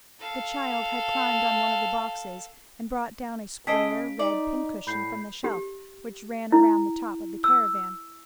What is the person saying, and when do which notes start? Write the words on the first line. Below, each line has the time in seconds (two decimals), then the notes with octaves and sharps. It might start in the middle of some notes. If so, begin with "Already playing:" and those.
The child had climbed on one of the boxes, and brought down a square red pincushion from the shelf which ran round the top of the caravan.
0.19 A4 F5
3.67 C#3 G#4 A4 D#5 B6 D7
4.19 D#4 D5
4.87 A2 B5 G6 C7
5.44 G4
6.52 E4
7.44 E6